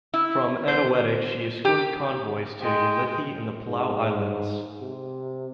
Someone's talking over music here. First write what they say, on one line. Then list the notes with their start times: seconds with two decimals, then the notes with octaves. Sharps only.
From Eniwetok she escorted convoys to Ulithi and the Palau Islands.
0.14 E4
0.68 C5
1.65 G4
2.61 G#3 G5
3.68 G#2
4.81 C3